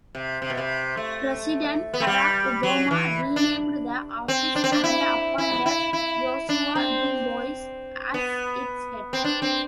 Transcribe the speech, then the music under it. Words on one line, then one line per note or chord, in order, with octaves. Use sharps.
President Barack Obama renamed the office and appointed Joshua DuBois as its head.
C3
C3
B2
C3
A3
B3
A3
G3
F#3
E3
D4
C4
D4
C4
D4
E4
E4
E4
E4
D4
C4
B3
C4
D4
C4